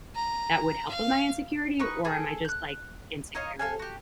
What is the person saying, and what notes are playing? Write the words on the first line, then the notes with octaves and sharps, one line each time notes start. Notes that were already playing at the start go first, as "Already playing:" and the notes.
that would help with my insecurity, or am I just, like, insecure?
A#5
F5
D#4 B4 C#6
G#4 A4
F#6 G6
D#4 C#5 D#5 F5
A4 F5 G#5
F#4 G4